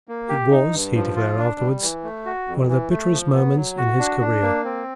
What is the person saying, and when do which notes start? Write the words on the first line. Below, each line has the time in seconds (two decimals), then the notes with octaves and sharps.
It was, he declared afterwards, one of the bitterest moments in his career.
0.08 A#3
0.29 G4
0.51 D#4
0.74 G2
0.95 F3
1.16 F4
1.38 D4
1.59 G3
1.82 E3
2.04 A3
2.26 F#4
2.47 F2
2.68 E3
2.90 A3
3.12 F3
3.34 B3
3.56 F#3
3.77 F#4
3.99 D4
4.20 D4
4.42 A#3
4.64 C4